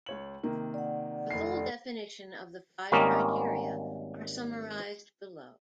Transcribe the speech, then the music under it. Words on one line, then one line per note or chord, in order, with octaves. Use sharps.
The full definition of the five criteria are summarised below.
C#2 C#5 F#7
C3 D#3 A#3
D5 F#5
F1 C7
G#1 G3 A#3 C#4 A#4 D#5